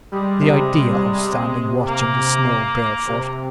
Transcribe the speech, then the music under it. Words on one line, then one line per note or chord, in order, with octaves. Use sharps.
"The idea of standing watch in the snow barefoot!"
G3 G#3
C3 G#3
A#3
C3